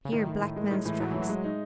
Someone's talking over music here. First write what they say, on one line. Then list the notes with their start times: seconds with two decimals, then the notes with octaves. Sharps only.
Here black man's tracks.
0.05 C#3
0.12 A2 D#3
0.26 A2
0.42 A2
0.56 G#3
0.71 A2 D#3
0.85 A2 E3
1.00 A2 F#3
1.11 A2 E3
1.22 F#3
1.29 G#3
1.44 D#4